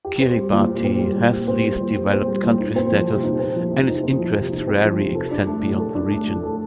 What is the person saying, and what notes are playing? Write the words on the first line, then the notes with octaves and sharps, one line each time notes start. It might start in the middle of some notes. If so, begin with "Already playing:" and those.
Kiribati has Least Developed Country Status and its interests rarely extend beyond the region.
G4
C4
G3
A#2
G4
C4
G3
A#2
G4
C4
G3
A#2
G4
C4
G3
A#2
D#4
C4
F3
C3
D#4
C4
F3
C3
D#4
C4
F3
C3
D#4
C4
F3
C3
A4
D4
A3
A2
A4
D4
A3
A2
A4